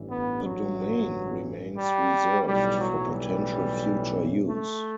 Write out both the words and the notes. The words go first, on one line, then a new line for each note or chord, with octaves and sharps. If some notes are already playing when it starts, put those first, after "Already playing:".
The domain remains reserved for potential future use.
Already playing: A1 G2 E3
B3
F#3
G3
B1 A2 E3 G3
F#3
G3
A3